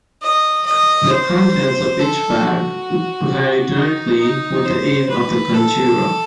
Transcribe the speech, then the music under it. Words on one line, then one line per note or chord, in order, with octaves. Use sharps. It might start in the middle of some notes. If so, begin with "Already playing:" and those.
The contents of each bag vary directly with the aim of the conjurer.
D#5
D#5
C5
A4
F#4
D#4
D#4
C5
B4
A4